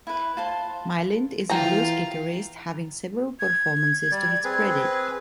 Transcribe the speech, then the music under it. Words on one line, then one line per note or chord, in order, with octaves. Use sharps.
Milind is a blues guitarist having several performances to his credit.
E4 B4
F4 C5 A5
E3 F4 G5 A#5
G#6
G3 D5
C4 G#4 B4